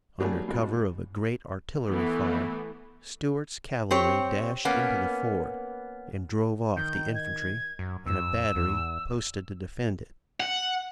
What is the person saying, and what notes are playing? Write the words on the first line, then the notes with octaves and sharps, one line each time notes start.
Under cover of a great artillery fire Stuart's cavalry dashed into the ford, and drove off the infantry and a battery posted to defend it.
D#3 F#3 G3 A3 A#3 G#4
F2 G#2 B2
E3 A3 B3
C4 G4 C#5
A#3 B3 C#4
D#3 G6
G#6
F#2
F2 E6
E2
F#5